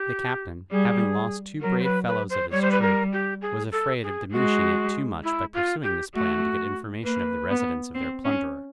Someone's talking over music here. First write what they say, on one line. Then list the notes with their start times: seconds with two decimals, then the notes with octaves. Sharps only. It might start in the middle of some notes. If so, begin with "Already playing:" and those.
The captain, having lost two brave fellows of his troop, was afraid of diminishing it too much by pursuing this plan to get information of the residence of their plunderer.
Already playing: G4
0.71 G3 G#4
1.62 F#3 A#4
1.80 C5
1.84 B4
2.07 B4
2.30 C5
2.51 G3 C#5
2.62 C5
2.71 B4
2.82 A#4
3.13 G4
3.42 G#4
3.72 A4
4.03 G#4
4.32 G#3 F#4
5.24 E4
5.54 F4
5.83 G4
6.14 A3 F#4
7.04 A#3 B4
7.50 B3
7.94 C4
8.25 C#4